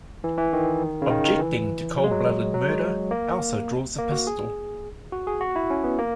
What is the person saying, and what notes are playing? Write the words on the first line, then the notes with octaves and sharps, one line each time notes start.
Objecting to cold-blooded murder, Elsa draws a pistol.
E3
E3
D#3
C#3
D#3
D#3
E3
F#3
G#3
F#3
F#3
G#3
A#3
A#3
F#4
G#4
F#4
G#4
F#4
E4
C#4
B3
A#3